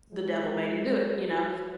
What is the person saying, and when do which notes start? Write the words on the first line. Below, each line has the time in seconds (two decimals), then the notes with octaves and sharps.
the devil made him do it, you know?
0.12 G#3
1.15 F#3